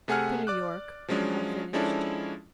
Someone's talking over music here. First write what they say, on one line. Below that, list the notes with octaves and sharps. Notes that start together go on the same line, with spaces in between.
"To New York," I finished.
C3 A3 G#4 F#5 G#5 F6
D5 D6 F#6
F3 F#3 G#3 C#4 D4
F3 G#3 C#4 D4 E4 A4